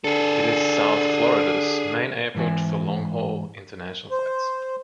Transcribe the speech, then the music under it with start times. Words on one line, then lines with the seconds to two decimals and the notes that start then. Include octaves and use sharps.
It is South Florida's main airport for long-haul international flights.
0.04 D3 G#4 A4
2.35 G#2 E3 G#5
4.11 C5